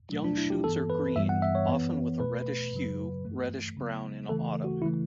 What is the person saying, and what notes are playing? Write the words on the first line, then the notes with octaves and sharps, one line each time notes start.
Young shoots are green, often with a reddish hue, reddish-brown in autumn.
B2 F#3 A3
D4
E4
G4
G2 E3 B3 A4
B4
G2 E3 G3 B3 E5
F#5
E5
C#5
F#2 E3 B3
B2 A3 B4
F#2 C#3 F#3
G2 E3 A3
C#3 F#3 B3
C#3 E3 A3 A4
F#4
C#3 E3 A3 E4